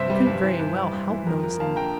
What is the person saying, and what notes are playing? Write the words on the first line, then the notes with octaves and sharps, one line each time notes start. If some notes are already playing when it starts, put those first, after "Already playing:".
"I couldn't very well help noticing it."
Already playing: G2 C3 C5 E5
G3
G2
E3
G2
G3
G2
E3
F2 A#4
F3 A#4
A#3 F5 A5
D3 G5 A#5